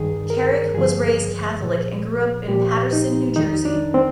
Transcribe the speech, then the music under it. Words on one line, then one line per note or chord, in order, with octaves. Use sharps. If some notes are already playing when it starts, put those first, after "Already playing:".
Kerik was raised Catholic and grew up in Paterson, New Jersey.
Already playing: G2 D#3 G#4
A#4
G2 D3 F3 G#4
A#2 F3
A#2 F3 G4
D#4
F2 D#3 D#4
D4
C4